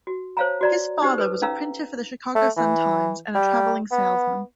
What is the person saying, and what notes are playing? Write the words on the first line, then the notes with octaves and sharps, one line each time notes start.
His father was a printer for the "Chicago Sun-Times" and a traveling salesman.
F#4
C5 C#5 F5 A5 A#5
F#4 D5 A#5
D#4 G4 C5
A4 B4
C#4 D#4 F5 A#5 E6
A3
E3
G3
B3